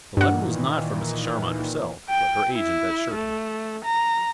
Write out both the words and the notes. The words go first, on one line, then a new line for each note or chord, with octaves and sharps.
The letter was not from Mrs. Charmond herself, but her agent at Sherton.
G2 A#2 D#3 E3 F#5
G5
E4
A3
A#5